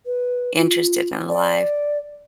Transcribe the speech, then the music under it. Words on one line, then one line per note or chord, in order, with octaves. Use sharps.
interested and alive.
B4
F4
D5